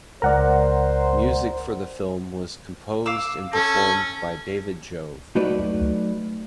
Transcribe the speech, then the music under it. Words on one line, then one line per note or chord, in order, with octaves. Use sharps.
Music for the film was composed and performed by David Jove.
C#2 A#4 C5 D5 F#5 A#5
F5 D6 E6
C#4 A4
F#3 A3 D#4 F#4 B4 D5